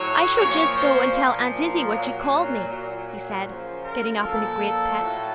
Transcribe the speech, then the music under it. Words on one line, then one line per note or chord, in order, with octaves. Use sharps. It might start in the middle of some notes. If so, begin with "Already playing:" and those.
"I shall just go and tell Aunt Izzie what you called me," he said, getting up in a great pet.
Already playing: A2 F#3 C#5
A#2 F3 C#5
C5
A#2 F3
A#2 F#3
A#2 F#3
F#2 C#3 F3 C5
A#4
A#2 F3 A4
A2 F#3